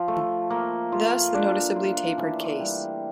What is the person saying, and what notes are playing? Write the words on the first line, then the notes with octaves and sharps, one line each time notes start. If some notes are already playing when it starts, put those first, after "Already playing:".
Thus the noticeably tapered case.
Already playing: F3
A3
A#3
F4
D4
F4
E3
G3